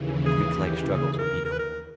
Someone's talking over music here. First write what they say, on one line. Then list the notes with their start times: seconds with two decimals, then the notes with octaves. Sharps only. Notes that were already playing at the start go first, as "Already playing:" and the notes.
Greeklike struggles would be no more.
Already playing: D#2 C#3 E3
0.26 G#4
0.66 G4
0.92 G#4
1.13 G#4
1.19 A#4
1.45 A#4
1.52 B4
1.59 A#4